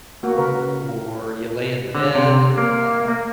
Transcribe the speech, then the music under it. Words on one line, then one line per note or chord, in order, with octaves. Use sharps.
or you lay in bed, uh,
A#3 F#4
C#3 A#4 B4
D3
C3
A#3
A#3